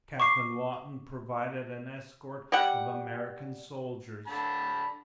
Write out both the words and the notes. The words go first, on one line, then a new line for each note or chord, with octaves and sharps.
Captain Lawton provided an escort of American soldiers.
C#6 D6 C7
G3 F#5
D3 A5 B5